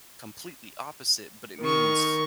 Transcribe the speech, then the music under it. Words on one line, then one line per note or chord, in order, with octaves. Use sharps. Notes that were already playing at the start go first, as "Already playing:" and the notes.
completely opposite, but it means
D#3 C#6